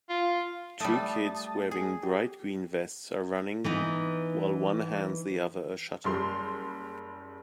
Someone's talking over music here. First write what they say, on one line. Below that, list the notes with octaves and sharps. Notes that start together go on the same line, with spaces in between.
Two kids wearing bright green vests are running while one hands the other a shuttle.
F4
G3 A3 A5 D#6 A6
G#4
G4
E3 B3 D#4
F#1 G3 C6